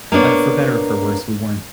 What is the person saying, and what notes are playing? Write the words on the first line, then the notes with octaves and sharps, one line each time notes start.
uh, for better or for worse, we weren't,
A#3 B3 D4 C#5